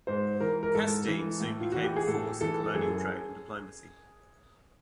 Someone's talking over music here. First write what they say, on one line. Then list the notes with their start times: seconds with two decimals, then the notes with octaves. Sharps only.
Castine soon became a force in colonial trade and diplomacy.
0.07 G#2 C5
0.40 E3 A#4
0.63 A#4
0.75 G#2 A4
1.07 E3
1.40 A2
1.60 F4
1.72 E3 F#4
1.84 G4
1.96 G#4
2.07 A2 A4
2.41 E3 A4
2.64 A4
2.74 F#2 G#4